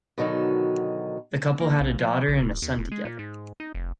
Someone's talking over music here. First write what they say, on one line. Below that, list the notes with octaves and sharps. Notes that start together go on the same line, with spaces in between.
The couple had a daughter and a son together.
B2 D3 D#3 F#3 D#4
A#3
A#1
F3
A#1
D1
D#2
E1
G#3
A#2
G#2
D#4
F1